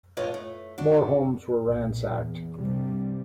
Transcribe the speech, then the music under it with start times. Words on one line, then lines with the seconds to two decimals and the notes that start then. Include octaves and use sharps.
More homes were ransacked.
0.17 F2 A2 F4 B4 C#5 D#5
0.34 A3
0.78 D4 F#4
1.65 B1 A#2
2.13 E2
2.58 G2 C3 G3